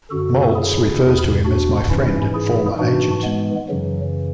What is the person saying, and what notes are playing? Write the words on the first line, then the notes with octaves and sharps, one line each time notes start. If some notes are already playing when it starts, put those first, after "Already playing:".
Maltz refers to him as my friend and former agent.
F#2 D3 F#4 A4
E4 G#4
E2 B2
D4 F#4
G#2 E3 C#4 E4
E4 G#4
G#2 E3 D4 F#4
G#3 B3
F#2 C#3 E3 F#3